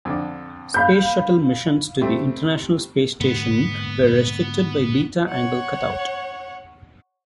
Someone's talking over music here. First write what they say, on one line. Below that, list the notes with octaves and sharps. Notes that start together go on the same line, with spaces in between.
Space Shuttle missions to the International Space Station were restricted by beta angle cutout.
F2 D3 D4
F5 B5 G6
G3 A3 C4
G#2 D3 A#3 B3
C#5 F#5